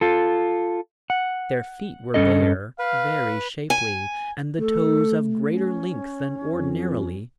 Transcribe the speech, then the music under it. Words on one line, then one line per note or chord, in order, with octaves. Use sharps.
Their feet were bare, very shapely, and the toes of greater length than ordinarily.
F4 A4
F#5
G2 D#3 C#4 A4 D#5
B4 F5
G#5
A3 A4
C#4
F2